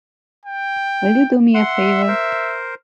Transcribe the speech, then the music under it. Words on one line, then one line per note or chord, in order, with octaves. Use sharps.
Will you do me a favour?
G5
E5 F#5 C6
A#4 C5